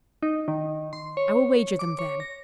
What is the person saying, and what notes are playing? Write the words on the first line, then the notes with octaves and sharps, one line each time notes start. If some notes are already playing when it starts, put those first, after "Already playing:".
"I will wager them, then."
D#4
D#3
C6
C#5
D6
C#5
A#6